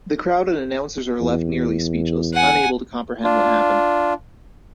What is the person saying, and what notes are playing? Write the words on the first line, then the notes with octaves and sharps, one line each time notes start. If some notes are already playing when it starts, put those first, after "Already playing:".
The crowd and announcers are left nearly speechless, unable to comprehend what happened.
E2
F#5 G#5
D4 F4